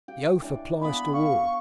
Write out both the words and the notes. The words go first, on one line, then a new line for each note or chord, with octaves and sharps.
"The oath applies to all."
G4 G5
E3 D4 D5
B3 G#5 B5
F5 C#6